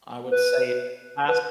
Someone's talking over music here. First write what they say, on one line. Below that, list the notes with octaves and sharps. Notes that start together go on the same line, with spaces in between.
I would say it has
B4
B4